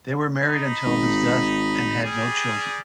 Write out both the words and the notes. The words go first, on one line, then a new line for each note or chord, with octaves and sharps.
They were married until his death and had no children.
D#4 B5
G#1
G3 G#4